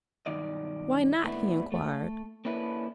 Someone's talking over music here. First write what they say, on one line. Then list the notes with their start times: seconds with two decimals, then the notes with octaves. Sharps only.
'Why not?' he inquired.
0.26 B1 G2 D#3 D5 D#5
1.23 A#2 A3 B3 D4 E4
1.72 A3 A4
2.45 A#3 C#4 D4 E4 A4 B4